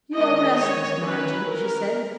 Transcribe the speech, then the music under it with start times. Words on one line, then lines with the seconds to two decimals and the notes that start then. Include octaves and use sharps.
"You are restless, Margie," she said.
0.16 D#3 G#3 C#4 D#5
0.60 C#5
1.04 F#3 C#4 B4
1.47 A#4